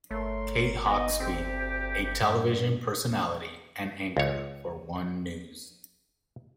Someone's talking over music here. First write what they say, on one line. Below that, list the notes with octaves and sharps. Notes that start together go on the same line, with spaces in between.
Kate Hawkesby, a television personality and anchor for One News.
G1 A3 A#4 C#5 C6
B3 D#4 D#5
D2 C4 G4
G2
C#2 C#5